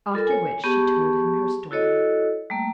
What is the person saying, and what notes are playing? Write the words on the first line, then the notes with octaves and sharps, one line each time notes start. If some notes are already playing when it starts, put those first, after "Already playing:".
After which she told him her story.
F4 A4 A#4
C#5 G#5
B3 G4 G#4 A5 C#6
E4 F#4 A4 C#5 D#5
G3 A3 A#3